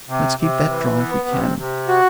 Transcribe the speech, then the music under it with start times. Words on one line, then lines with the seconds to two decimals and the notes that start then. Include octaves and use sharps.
Let's keep that dry if we can.
0.09 C3
0.39 C3
0.68 E3
0.99 B3
1.28 C3
1.58 C3
1.88 F#4